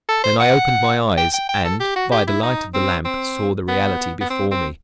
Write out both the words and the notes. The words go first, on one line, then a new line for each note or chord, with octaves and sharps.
Then I opened my eyes and, by the light of the lamp, saw the reality before me.
A4
C5
F#5
G5
G5
G5
A4
G4
F#4
G4
E4
D#4
C4
C4
B3
B3
C4
C4